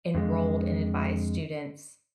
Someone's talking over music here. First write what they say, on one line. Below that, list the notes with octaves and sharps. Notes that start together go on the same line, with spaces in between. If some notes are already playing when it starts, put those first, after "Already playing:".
enrolled and advised students
F2 D3 G#3